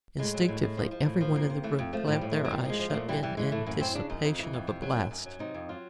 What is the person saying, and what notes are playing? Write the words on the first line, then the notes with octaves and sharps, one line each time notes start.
Instinctively, everyone in the room clamped their eyes shut in anticipation of a blast.
A2 G#3
F#3
A2
A2
F3
F3
A2
F3
F2 A#3
C3
E3 A3
F2
F3 A3
A2
G3
A2
F3 A3
F#3
A#2 G3
F3 G#3
F3
A#2 A3
E3 G3
E3 G3
E3 G#3
A2 A3
F#2 A#3
F#2 C4
C#3 D4
F#2 D#4
F2
E3
F2
C3
F#3
F#2
F#2
F#3
C3 D#4
F2
F#3 F4